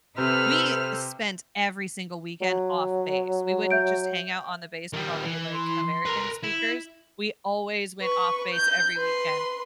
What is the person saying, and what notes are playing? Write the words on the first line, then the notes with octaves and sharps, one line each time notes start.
we spent every single weekend off-base. We wouldn't just hang out on the base with all the, like, American speakers; we always went off-base every weekend.
C3 A4 B4 C5 E5 F6
F#3
E5 G6 D7
D#3 G3
E3
C6
A#4 B4
E4
B4 C#6
G6
B4 C6